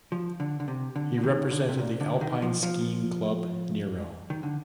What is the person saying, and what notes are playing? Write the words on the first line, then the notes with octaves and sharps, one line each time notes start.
He represented the alpine skiing club Nero.
F3
D3
D3
C3
D3
D3
D#3
D3
C3
A#2
D3
D#3
F3
F3
D#3
D3